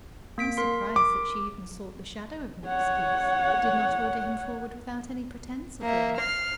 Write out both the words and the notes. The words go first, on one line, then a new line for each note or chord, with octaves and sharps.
I am surprised that she even sought the shadow of an excuse, but did not order him forward without any pretense of one.
A#3 B6 D7
A#4 C6 B6
D6
C#5 F#5
A#3 E5
F6 C7